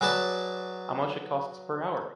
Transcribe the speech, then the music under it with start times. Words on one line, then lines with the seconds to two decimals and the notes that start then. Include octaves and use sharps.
How much it costs per hour?
0.01 F#3 G#4 B4 D5 A5